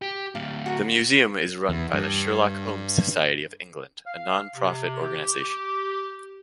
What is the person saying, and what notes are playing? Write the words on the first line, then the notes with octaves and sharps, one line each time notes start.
The museum is run by the Sherlock Holmes Society of England, a non-profit organisation.
G4
D2 A2 F5
F#4 A#4
E2
G2
F5
C3
G4